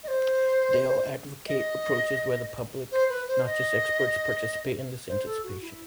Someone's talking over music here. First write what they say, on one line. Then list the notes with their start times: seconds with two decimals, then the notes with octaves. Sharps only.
They all advocate approaches where the public, not just experts, participate in this "anticipation".
0.04 D#5
0.08 C5
1.48 D#5
2.92 C5
3.09 B4
3.28 C5
3.46 D#5
5.08 C5
5.26 A4
5.44 F#4
5.62 E4